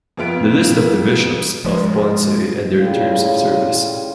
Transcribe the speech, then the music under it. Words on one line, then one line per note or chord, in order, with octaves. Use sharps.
The list of the bishops of Ponce and their terms of service.
F2 B3 F4 D7
F3 G#3
A2 C#3 G3 F4